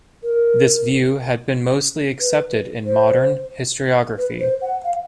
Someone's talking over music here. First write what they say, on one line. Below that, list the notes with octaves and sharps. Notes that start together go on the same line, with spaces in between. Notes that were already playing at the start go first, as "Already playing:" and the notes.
This view had been mostly accepted in modern historiography.
A#4
B4
C5
B4
C5
F#5
F5